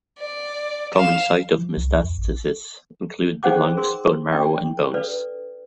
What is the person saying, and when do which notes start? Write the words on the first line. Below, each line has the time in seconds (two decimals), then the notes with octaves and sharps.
Common site of metastasis include the lungs, bone marrow, and bones.
0.19 D5
0.94 F5 E7
1.58 F3
1.77 C2
2.04 F2
2.18 A1
3.43 D#4 G#4 C5 F#5 G5 D6
3.77 G#4 A#4 C6
4.32 D4 G5
4.94 A4 B4 D5